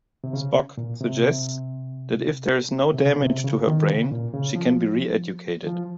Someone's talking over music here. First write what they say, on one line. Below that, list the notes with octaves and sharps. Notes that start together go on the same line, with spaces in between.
Spock suggests that if there's no damage to her brain, she can be re-educated.
C3
C#3
A#2
C3
C3
C3
C#3
C3
C#3
D#3
C#3
A#2
C#3
F3
F3